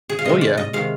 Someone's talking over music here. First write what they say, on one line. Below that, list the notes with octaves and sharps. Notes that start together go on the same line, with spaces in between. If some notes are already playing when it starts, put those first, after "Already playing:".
Oh, yeah.
G#4
F5
C3 D#3 G#3 D#5
D5
D#5
C3 D#3 G#3 F5